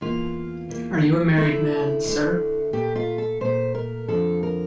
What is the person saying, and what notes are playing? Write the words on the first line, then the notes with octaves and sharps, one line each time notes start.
Are you a married man, sir?
E2 E3 A#3 F4
E2 E3 A#3
D2 D3 A3 E4
D2 D3 A3
A#2 A3 G4
F4
A4
A#2 A3 C5
A#4
F2 D3 F3 A4
A#4